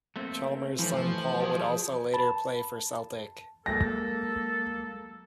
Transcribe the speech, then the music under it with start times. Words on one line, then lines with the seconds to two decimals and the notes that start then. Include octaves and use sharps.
Chalmers' son Paul would also later play for Celtic.
0.16 A3 A#3 C4
0.79 E3 F3 A3
0.93 F3
1.40 G4 G#4
2.14 A5 B5
3.66 F#3 G#3 A#3 A4 A#6